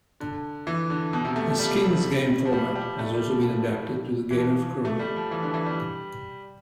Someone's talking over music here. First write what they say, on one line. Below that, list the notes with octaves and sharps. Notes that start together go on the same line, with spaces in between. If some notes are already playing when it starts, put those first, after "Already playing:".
A skins game format has also been adapted to the game of curling.
D3
E3
D3
B2
C3
A3
F3
G3
F3
G3
G3
A3
G3
F3
E3
F3
A3
G3
F3
E3
D3
E3
G3